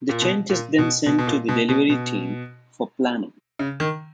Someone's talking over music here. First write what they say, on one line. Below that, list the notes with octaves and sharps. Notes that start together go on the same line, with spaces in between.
The change is then sent to the delivery team for planning.
A#2
B2
A#2
B2
B2
B2
A#2
B2
B2
B2
C#3
D#3